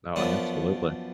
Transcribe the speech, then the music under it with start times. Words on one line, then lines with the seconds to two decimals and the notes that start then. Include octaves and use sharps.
No, and absolutely.
0.16 F#2 F3 B3 D4